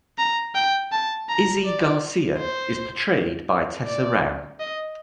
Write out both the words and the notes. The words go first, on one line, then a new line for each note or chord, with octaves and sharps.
Izzy Garcia is portrayed by Tessa Rao.
A#5
G5
A5
A#5
D5
C5
D5
D#5